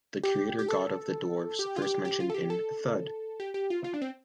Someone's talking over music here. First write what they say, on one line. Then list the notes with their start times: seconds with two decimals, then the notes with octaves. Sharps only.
The creator god of the dwarfs, first mentioned in "Thud!".
0.24 G4
0.59 G4
0.69 A4
1.59 G4
1.76 F4
1.82 G4
2.05 G4
2.20 F4
2.30 A4
2.34 G4
2.50 A4
3.40 G4
3.54 G4
3.70 F4
3.84 F4
3.94 D4
4.02 C4